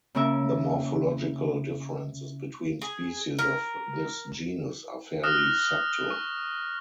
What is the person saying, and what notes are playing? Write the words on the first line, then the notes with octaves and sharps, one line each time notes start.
The morphological differences between species of this genus are fairly subtle.
C#3 A#3 C#4 A#4 E5
G#4
A#4
D#6 F6 F#6 A#6 E7
C#6